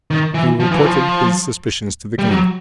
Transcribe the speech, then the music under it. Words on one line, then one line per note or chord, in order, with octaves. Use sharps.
He reported his suspicions to the king.
D#3
E3
F3
E3
F3
G3
F#3